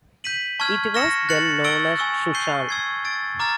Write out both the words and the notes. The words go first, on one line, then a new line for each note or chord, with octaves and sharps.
It was then known as Shushan.
G6 B6 D#7 F#7
A5 C#6 F6 G#6
C#6 F6 A#6 C#7 E7
F#6 A6 C#7 F#7
C#6 E6 A6 D7 G7
G#5 C#6 E6
G6 C7 D#7 G7
C#6 E6 G#6 C7
E6 A6 D7
A#5 D6 F6 A6